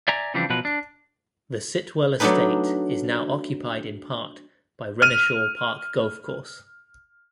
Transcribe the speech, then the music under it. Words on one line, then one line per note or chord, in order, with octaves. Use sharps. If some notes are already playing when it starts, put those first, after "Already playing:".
The Sitwell estate is now occupied in part by Renishaw Park Golf course.
D5 E5 G#5 A#5
C#3 E3 F3 G3 C4 D4
B2 F3 F#3 B4
D4
F#3 A3 B3 D4 D#4 B4
F6 D#7